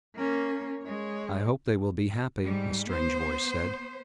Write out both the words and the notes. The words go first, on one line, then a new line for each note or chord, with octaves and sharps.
"I hope they will be happy," a strange voice said.
A#3 C#4
G#3 C#5
G#2 G3
B3 C5